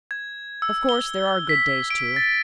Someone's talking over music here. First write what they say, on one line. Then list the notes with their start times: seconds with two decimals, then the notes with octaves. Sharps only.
Of course there are good days, too.
0.11 G#6
0.62 E6
0.89 G7
1.49 B6
1.90 D7
2.16 A6